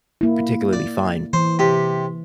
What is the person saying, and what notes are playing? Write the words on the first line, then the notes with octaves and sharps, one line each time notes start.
particularly fine,
A#3 E4
D5
E3 C5
C3 G4